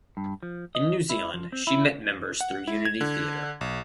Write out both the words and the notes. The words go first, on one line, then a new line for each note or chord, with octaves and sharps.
In New Zealand she met members through Unity Theatre.
G2
F3
D#5
E4
F3
C4
E4
F#5
E4
G#6
D3
B1